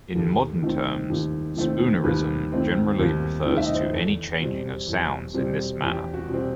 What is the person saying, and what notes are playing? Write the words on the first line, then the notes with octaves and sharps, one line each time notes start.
In modern terms, "spoonerism" generally refers to any changing of sounds in this manner.
D#2 A4
D#3 A3 C4
D#2
D#3 A3 C4
D#2 B4
D#3 A3 C4
D#2
D#3 A3 C4
E5
D#5
C5
B4
E2 A4
B2 G3 C4
E2
B2 G3 C4
E2 G4
F#4
B2 G3 C4